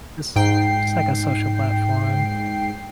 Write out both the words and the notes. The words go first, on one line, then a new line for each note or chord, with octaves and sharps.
just just, like a social platform,
G#2 G5 C7